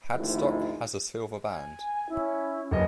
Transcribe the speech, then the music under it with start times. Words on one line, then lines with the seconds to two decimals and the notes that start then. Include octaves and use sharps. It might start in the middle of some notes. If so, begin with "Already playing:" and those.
Hadstock has a silver band.
0.13 G#1 D2 G#2 F3 E4
1.51 G#5
2.10 C#4 E4
2.71 F#1 B4 D#5